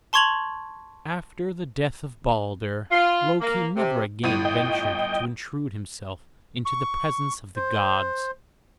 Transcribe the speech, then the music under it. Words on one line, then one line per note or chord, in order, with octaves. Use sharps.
After the death of Baldur, Loki never again ventured to intrude himself into the presence of the gods.
A5 C6 C#6 G#6 F7 F#7
F4
A#3
C3
G1 A2 D#7
D#5 G5
C#6
C5